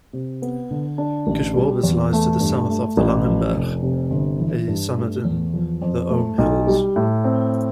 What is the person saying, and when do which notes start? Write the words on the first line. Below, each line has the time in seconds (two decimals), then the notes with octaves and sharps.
Kirchworbis lies to the south of the Langenberg, a summit in the Ohm Hills.
0.13 C3
0.42 B3
0.71 D3
0.98 D4
1.27 A1
1.56 G3
1.83 E2
2.13 A3
2.40 G2
2.69 A3
2.97 A1
3.26 F3
3.54 F1
3.83 C3
4.11 G1
4.40 E3
4.68 G2
4.96 A3
5.25 E2
5.54 F3
5.82 F2
6.10 A3
6.38 B1
6.67 G3
6.96 A2
7.24 C4